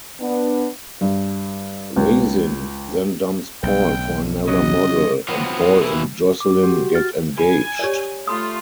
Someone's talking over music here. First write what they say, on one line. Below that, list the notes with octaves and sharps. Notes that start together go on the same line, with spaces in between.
Resin then dumps Paul for another model, and Paul and Jocelyn get engaged.
B3 D4
G2
C#2
B1 G5
C#3 F#3 D#5
F3 F#3 B3 C4
B2 E3 E4
D6
F#4 G4
F#4 F6 A6
G#5 B5
G4 C#5 D5
A3 F4 B5 C6 D#6